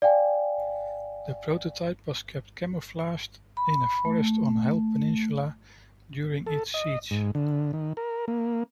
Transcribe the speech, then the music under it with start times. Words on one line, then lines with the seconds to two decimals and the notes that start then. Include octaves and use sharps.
The prototype was kept camouflaged in a forest on Hel Peninsula during its siege.
0.02 D5 F5 G5 G#5
3.57 B5
4.05 A3
6.46 A4
6.74 D#5
7.11 G#2
7.35 D3
7.73 D#3
7.97 A#4
8.28 A#3